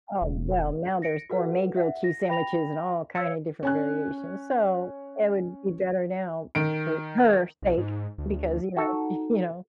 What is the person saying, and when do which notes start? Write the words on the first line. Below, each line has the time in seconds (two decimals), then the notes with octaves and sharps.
Oh, well, now there's gourmet grilled cheese sandwiches and all kinda different variations, so it would be better now for her sake because, you know, you know?
0.22 E1
1.02 A#6 C#7 D7
1.30 F#4 A4 B4 F#5
1.76 E5 F#5
2.04 A#6
2.28 G5 B5 A#6 F7
3.15 C#5 F5 E6 G#6 C#7
3.63 C#4 G#5 F#6
6.55 D#3 D7
7.62 B1
7.78 G#2
8.18 D2
8.77 D#4 F#4 A4